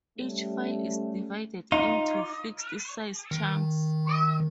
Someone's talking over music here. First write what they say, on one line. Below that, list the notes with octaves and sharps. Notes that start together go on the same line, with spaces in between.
Each file is divided into fixed-size chunks.
G3 A3 C#4
D#4 F4
D#3